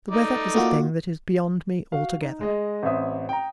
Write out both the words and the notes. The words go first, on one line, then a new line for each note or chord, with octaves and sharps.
The weather is a thing that is beyond me altogether.
A3 D#4 D5
A#3 F4 F#4
F#4 F5
D#4
G#3 D#5
A1 C4 E5 D#6
G5 A#5